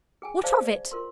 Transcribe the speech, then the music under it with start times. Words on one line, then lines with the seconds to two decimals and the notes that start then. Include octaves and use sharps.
"What of it?"
0.22 G#4 G5 G#5
0.43 G#4 C5 D5 F5 A5
0.65 D5
0.91 F4 A#4 C6